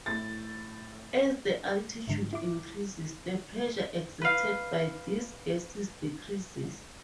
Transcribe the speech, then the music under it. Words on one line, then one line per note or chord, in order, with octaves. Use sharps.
As the altitude increases, the pressure exerted by these gases decreases.
A2 A6
G#2 D3
E4 D6
B4 F5